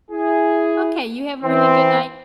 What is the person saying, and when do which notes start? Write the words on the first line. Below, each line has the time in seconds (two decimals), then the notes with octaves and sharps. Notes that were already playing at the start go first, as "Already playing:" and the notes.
Okay, you have a really good night.
0.11 E4 G#4
1.43 E3 C4